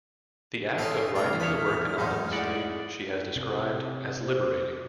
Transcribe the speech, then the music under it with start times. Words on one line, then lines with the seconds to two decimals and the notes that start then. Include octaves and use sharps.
The act of writing the work anonymously she has described as "liberating".
0.78 C#4 D#4 F4 A4 E5 A#5
1.15 G3 A3 C4 F4 G5 A#5 F6
1.40 E2 G#3 A3 C#5 B5 D#6 G#6
1.98 G#2 F#3 A3 D#4
2.32 A3 D#4 E4 G#4 D5 F#5
3.36 C3
4.19 C5